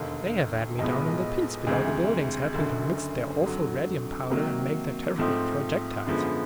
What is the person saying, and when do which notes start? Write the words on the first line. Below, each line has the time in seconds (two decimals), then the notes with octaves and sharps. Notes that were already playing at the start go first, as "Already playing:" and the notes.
They have had me down in the pits below the buildings helping them mix their awful radium powder, and make their terrible projectiles.
Already playing: E1 D#2 D3
0.79 B1 A2 F3 G#3 B3
1.66 D2 C3 E3 G#3
2.54 F#1 F#2 D3
3.43 F2 D3 F#3
4.30 C3 D#3 F#3 A#3
5.18 G#2 F3 A3 C4
6.06 F#2 D3 F3 G#3 B3